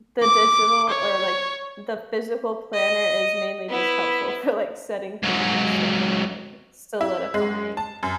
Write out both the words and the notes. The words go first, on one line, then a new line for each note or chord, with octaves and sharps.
the digital, or, like, the physical planner is mainly just helpful for like, setting things in stone, and, like, solidifying,
D6
C#5
D#5
B3 E4
G#2 F#3
E4
G#3
A5
F#2